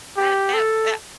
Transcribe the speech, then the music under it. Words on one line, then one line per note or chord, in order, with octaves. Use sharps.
That that that
G4
A4